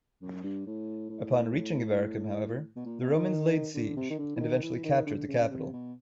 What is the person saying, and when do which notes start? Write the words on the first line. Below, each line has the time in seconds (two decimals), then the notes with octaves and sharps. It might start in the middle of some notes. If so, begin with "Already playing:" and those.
Upon reaching Avaricum however, the Romans laid siege and eventually captured the capital.
0.22 F#2
0.44 G2
0.66 A2
1.10 A2
2.76 B2
2.86 A#2
3.01 B2
3.15 D#3
3.75 D3
3.96 C3
4.10 D#3
4.19 D3
4.36 E3
4.40 D#3
4.62 E3
4.85 D#3
5.06 D3
5.17 D3
5.28 C#3
5.40 C#3
5.51 C3
5.73 B2